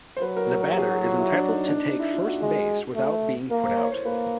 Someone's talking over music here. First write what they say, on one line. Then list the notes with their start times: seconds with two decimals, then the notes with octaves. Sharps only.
The batter is entitled to take first base without being put out.
0.17 C5
0.22 F#3 B4
0.37 A#4
0.50 A#4
0.63 A#4
0.72 G4
0.77 G#4
0.91 F#4
1.04 F4
1.18 E4
1.32 D4
1.49 D#4
1.68 D4
1.86 D#4
2.00 E4
2.13 F4
2.27 F#4
2.41 G#3
2.96 A3
3.51 A#3 A#4
3.64 C5
3.77 C#5
3.92 C5
4.05 A#3 B4